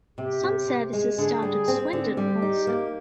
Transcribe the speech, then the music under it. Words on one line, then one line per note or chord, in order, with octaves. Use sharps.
Some services start at Swindon also.
C3 G4
C3
C3
G#3
D3 G#4
G3
C4
D3
G3 G4
D#4
A#3